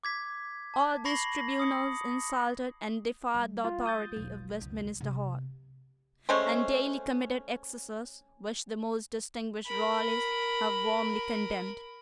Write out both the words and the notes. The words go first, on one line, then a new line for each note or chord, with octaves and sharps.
All these tribunals insulted and defied the authority of Westminster Hall, and daily committed excesses which the most distinguished Royalists have warmly condemned.
D6 G#6 B6
A5
B5 C#6 A#6 C7 F#7
D#6 C#7
G3
F4
D#6 G6 A6
E1 B1
F#1 C#2
C3 B3
G#3 A3 C#4 C5
A#4 B5